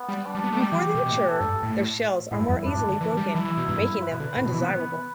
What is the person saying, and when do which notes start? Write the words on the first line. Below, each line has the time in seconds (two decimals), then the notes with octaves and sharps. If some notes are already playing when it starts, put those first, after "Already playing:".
Before they mature, their shells are more easily broken, making them undesirable.
Already playing: B3
0.09 G3
0.26 D4
0.35 G3
0.44 B3
0.52 A3
0.60 G3 G4
0.72 E3
0.95 B2
1.06 B2
1.11 A2
1.28 A4
1.41 G2
1.63 A2
2.31 A2 E4
2.40 G2
2.48 E2
2.65 G2 D4
2.77 A2
2.88 D3
3.00 E3 D4
3.17 G3
3.34 E3 E4
3.45 E3
3.57 B2
3.68 G2
4.02 B4
4.11 B2
4.20 D3
4.37 A2
4.46 B2
4.54 E3
4.62 B3